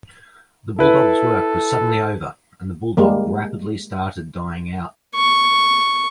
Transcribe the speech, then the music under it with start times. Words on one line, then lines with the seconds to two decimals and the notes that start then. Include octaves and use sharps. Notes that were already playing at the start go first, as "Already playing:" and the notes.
The bulldog's work was suddenly over and the bulldog rapidly started dying out.
0.79 E4 A4 B4
2.97 G3 G#3 A#3
5.15 C#6